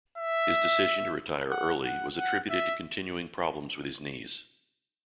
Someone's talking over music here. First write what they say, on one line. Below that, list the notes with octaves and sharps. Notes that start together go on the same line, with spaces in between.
His decision to retire early was attributed to continuing problems with his knees.
E5
F#5
F#5
F#5
E5